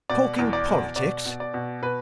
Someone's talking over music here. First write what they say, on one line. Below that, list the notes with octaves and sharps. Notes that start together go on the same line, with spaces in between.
"Talking politics?"
B2 D5
E2
D5
B2
B2 D5
B2
D5
B2
B2 B4